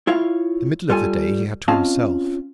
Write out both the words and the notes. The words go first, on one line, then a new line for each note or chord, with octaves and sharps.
The middle of the day he had to himself.
E4 F4 C#5 F5
G3 F4 A4 G#5
C4 C#4 F4 D#5 F5 A5